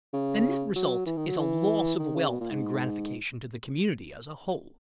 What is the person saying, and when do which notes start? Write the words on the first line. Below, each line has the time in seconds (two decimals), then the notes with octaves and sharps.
The net result is a loss of wealth and gratification to the community as a whole.
0.14 C#3
0.76 F#3
1.06 E3
1.17 D#3
1.28 F#3
1.38 E3
1.99 D#3
2.15 C#3
2.30 B2
2.40 A#2
2.50 G#2